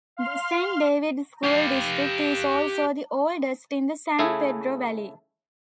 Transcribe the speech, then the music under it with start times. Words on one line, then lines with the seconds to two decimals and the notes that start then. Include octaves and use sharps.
The Saint David School District is also the oldest in the San Pedro Valley.
0.17 F5 C6 F6
1.43 G4 F5
4.19 C#3 A3 E4 G#4